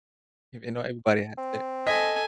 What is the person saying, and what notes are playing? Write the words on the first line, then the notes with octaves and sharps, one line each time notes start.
If You know, everybody has to
C4
A4 D#5 G#5 B6